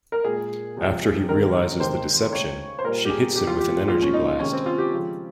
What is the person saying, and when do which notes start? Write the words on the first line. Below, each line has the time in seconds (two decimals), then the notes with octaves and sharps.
After he realizes the deception, she hits him with an energy blast.
0.12 A#4
0.24 A#2 G#3 G#4
0.76 C3 F3 G#3
1.28 C3 D#3 G#3 A#4
1.80 C3 D#3 G#3 C5
2.32 C#3 G#3 C#5
2.79 C5
2.84 A#2 G3 A#4
3.05 G4
3.10 G#4
3.36 C3 F3 G#3 G4
3.47 F4
3.59 G4
3.88 A#2 F3 G#3 F4
4.02 C#4
4.14 D#4
4.39 C3 D#3 G#3 C#4
4.53 C4
4.66 F4
4.78 G4
4.92 C#3 F3 G#3